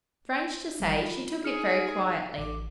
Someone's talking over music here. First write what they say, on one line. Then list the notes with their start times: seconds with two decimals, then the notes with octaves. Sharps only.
Strange to say, she took it very quietly.
0.80 G#1 F3 G3
0.99 F4 B5
1.44 D#4 G#4 F6 C#7
2.38 A1 D6